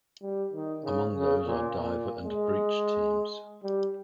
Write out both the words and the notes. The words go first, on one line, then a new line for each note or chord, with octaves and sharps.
Among those are diver and breach teams.
G3
D#3
C#3
C#3
A#2
A#2
G#3
G3